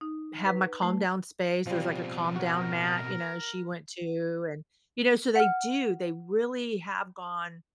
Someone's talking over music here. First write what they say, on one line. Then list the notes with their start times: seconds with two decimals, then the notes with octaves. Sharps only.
have my calm down space." There's like a calm down mat, you know, she went to. And, you know, so they do, they really have gone
0.01 D#4
0.46 B4
0.82 A3
1.67 B2 F3 G3 C4
2.36 F#4 A#4 C#5
5.36 F#5 F6